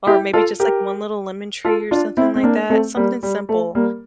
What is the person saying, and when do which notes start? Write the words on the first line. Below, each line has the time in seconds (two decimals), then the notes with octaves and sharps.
or maybe just, like, one little lemon tree or something like that- something simple.
0.06 E4 G4
0.33 F4 A4
0.60 G4 A#4
1.64 F4 A4
1.91 D4 F4
2.17 C4 E4
2.35 C4
2.43 A#3 D4
2.70 A3 C4
2.96 G3 A#3
3.23 G3
3.49 A3
3.75 G3 A#3